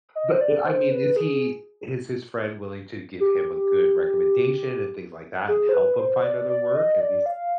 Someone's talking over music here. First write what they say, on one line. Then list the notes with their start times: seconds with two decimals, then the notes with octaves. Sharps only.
But, e I mean, is he is his friend willing to give him a good recommendation and things like that and help him find other work, at least
0.15 D#5
0.32 C5
0.41 D5
0.66 C5
0.92 B4
1.16 G#4
3.20 G4
5.48 G#4
5.69 C5
5.74 B4
5.98 C5
6.24 D5
6.50 D5
6.75 D#5
7.01 D5
7.26 F5